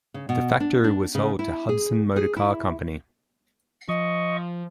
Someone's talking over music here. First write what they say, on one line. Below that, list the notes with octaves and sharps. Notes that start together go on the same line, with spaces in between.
The factory was sold to Hudson Motor Car Company.
C#3
B2
D4
D4
C#3
E4
G#4
G#4
E4
F3 D#5 C#6